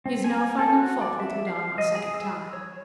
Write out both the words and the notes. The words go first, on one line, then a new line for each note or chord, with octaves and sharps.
"He is now finding fault with Madame a second time."
C4
G#5
A4
F#4
D5
E5
F5
D#5
G#4
E6
C#5